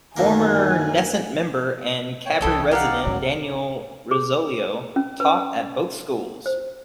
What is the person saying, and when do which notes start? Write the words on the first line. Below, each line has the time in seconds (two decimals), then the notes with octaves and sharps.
Former Knesset member and Kabri resident Daniel Rosolio taught at both schools.
0.17 F#2 D3 D#3 A#3 G#5
2.26 C#5 G5
2.41 C2 E3 E4 A4 D#5
2.71 D#4 G4 D5 F5 F#5
3.03 G#2 C#3 F#3
4.11 G#4
4.96 C#4
5.20 B4
6.46 C5